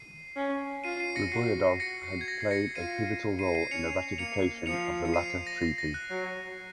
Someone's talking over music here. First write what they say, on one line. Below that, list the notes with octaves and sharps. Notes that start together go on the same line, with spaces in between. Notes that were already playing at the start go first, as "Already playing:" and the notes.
Griboyedov had played a pivotal role in the ratification of the latter treaty.
Already playing: C7 D#7
C#4
F4 C7 D#7
C7 D#7
A#6 C#7
F#4 C7
F#4 A#6 C#7
C7
G#6
A#6
C7
A#6 C#7
F4 C7 D#7
C7 D#7
C7 D#7
C#4 C#7 F7
A#3 C#7 F7
F3 C#7 F7
C#7
C7 D#7
C7
A#6
A#6
A#6
F#6
F#3